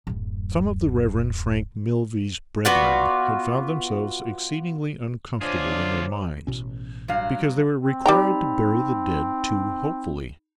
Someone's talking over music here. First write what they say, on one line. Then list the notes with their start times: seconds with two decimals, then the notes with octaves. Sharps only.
Some of the Reverend Frank Milvey's brethren had found themselves exceedingly uncomfortable in their minds, because they were required to bury the dead too hopefully.
0.07 D1 F#2
2.65 B3 F4 F#4 D5
5.41 D2 D4 F4 G#4 C5 C#5 D6
6.47 A1 B2 C#4
7.08 G2 F#3 F5
7.79 C4
8.06 G3 D#4 G5 A#5 B5